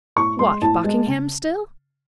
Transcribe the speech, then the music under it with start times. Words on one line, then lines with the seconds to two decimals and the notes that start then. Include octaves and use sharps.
"What, Buckingham still?"
0.16 A2 C#6
0.39 G#3 C6
0.61 A2 A5
0.84 G#3
1.07 C#3